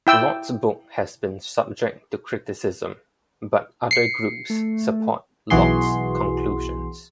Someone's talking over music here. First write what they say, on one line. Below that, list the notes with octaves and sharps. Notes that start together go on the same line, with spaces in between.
Lott's book has been subject to criticism, but other groups support Lott's conclusions.
E4 G5 E6
C7 C#7
A3
B1 B2 E3 F#4 G#4 C6